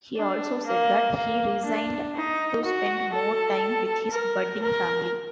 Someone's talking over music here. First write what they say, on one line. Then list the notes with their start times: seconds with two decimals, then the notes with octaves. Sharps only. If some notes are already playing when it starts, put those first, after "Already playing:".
He also said that he resigned to spend more time with his budding family.
0.17 D4
0.67 A#3
1.16 A#3
1.65 D4
2.16 D#4
2.65 F#4
3.13 A4
4.12 A#4
4.62 A#4